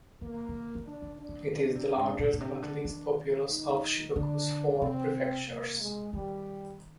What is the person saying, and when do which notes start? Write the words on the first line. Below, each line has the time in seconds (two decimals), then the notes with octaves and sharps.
It is the largest but least populous of Shikoku's four prefectures.
0.21 D#3 A#3
0.49 D#3
0.75 D#3
0.87 D4
1.02 D#3
1.20 D4
1.29 D#3
1.53 D3 D4
1.75 C3
1.97 G#2
2.19 A#2
2.33 A#2
2.40 C3
2.62 D3
2.85 D#3
3.50 D#4
4.16 D3 D4
4.81 C3 C4
5.47 A#3
5.80 G#3
6.13 D#3 G3